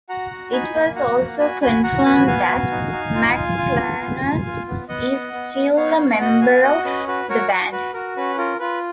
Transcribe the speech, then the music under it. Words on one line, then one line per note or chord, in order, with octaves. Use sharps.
It was also confirmed that McClarnon is still a member of the band.
F#4 F#5 A#5
F#4
D#4 G#5 B5
A#3
F#4 F#5 A#5
A#3
F#4 G#5 B5
F#4 G#5 B5
F#4 F#5 A#5
B3 G#5 B5
B3 F5 G#5
F#4
D#4
D#4
F4
F4
F4
B3
F4
F4
F4
B3
B3 D#5 F#5
B3
B3
B3
B3 C#5 F5
D#5
B3 C#5 F5
F#4 D#5 F#5
B3 F5 G#5
F#4 D#5 F#5
C#4 B4 D#5
F#4 B4
F#4 A#4 C#5
F#4
F#4 B4
F#4 A#4
C#4 B4
F4 A#4
F4 B4